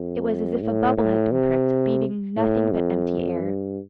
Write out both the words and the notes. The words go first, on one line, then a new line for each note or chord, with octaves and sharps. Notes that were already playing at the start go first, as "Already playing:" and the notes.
It was as if a bubble had been pricked, leaving nothing but empty air.
Already playing: F2
A2
A2
C3
A2
F2
G2